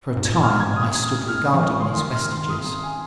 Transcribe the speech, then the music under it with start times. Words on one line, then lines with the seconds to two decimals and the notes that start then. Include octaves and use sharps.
For a time I stood regarding these vestiges. . . .
0.17 G#2
0.25 A#2 G#6
0.43 F6
0.60 G#6
0.76 D#6
0.95 G#6
1.28 F6
1.54 F3
1.63 D#3 D#6
1.80 C6
1.97 D#3 C6
2.15 F6
2.32 C6
2.49 D#6
2.66 C6
2.84 G#5